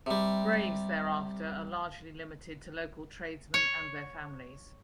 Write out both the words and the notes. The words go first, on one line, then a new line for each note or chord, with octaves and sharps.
Graves thereafter are largely limited to local tradesmen and their families.
C3 G3
C#5